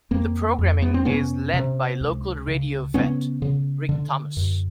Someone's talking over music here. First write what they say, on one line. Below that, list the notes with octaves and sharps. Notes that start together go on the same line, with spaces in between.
The programming is led by local radio vet Rick Thomas.
F2 A#3 C4
F2
B3
C4
C3 B3 C#4
C3
C#2
C#3
C#3 B3 C#4
C#3
D3
F#2